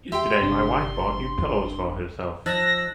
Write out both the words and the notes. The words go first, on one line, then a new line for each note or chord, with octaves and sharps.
Yesterday my wife bought new pillows for herself.
G4 E5 G5 C6
G1 C3 D4
F3 D#4 E6 F#6 A6 A#6